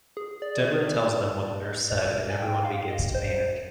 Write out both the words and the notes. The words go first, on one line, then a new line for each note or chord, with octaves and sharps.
Debra tells them what the nurse said and everyone begins to panic.
G#4
D5
D5
D#5
D5
A#4
G#5
G5
F5
G5
F5
D#5
C5